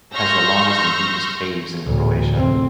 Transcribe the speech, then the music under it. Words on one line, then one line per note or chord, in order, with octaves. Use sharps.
It has the largest and deepest caves in Croatia.
C6 C#6 E6 F6 G6 A#6
D2 A2
F1 C4